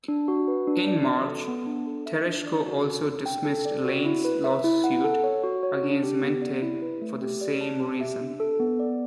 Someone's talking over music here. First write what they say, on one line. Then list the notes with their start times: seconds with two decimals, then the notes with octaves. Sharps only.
In March, Tereshko also dismissed Lane's lawsuit against Mendte for the same reason.
0.08 D4
0.28 F#4
0.48 B4
0.68 D4
0.88 D5
1.07 F#4
1.27 A4
1.48 B3
1.67 D4
1.87 A4
2.06 E5
2.26 D4
2.46 D5
2.66 F#4
2.85 A4
3.06 D4
3.26 G5
3.45 A4
3.65 D5
3.85 F#4
4.05 E4
4.25 B4
4.44 E5
4.64 E4
4.84 F#5
5.04 A4
5.24 C#5
5.44 F#4
5.63 C#5
5.83 D4
6.03 G4
6.22 B3
6.42 D5
6.62 E4
6.82 B4
7.01 A3
7.22 G4
7.41 D5
7.61 A5
7.80 G4
8.01 E5
8.21 D4
8.40 A4
8.59 B3
8.79 D5